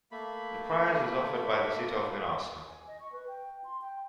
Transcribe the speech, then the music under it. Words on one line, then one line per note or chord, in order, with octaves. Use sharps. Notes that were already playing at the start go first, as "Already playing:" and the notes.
The Prize is offered by the city of Minusio.
A3 A#3 B5
G#5
D#5
C#6
B4
G5
C6
G5